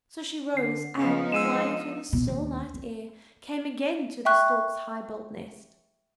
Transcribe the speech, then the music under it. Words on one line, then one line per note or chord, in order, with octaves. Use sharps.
So she rose, and, flying through the still night air, came again to the Stork's high-built nest.
D3 C7
C#3 F3 B3 C#4 D#4
G#3 E6 D#7 E7
B2
D#2
C4
E5 G5 C#6 F#6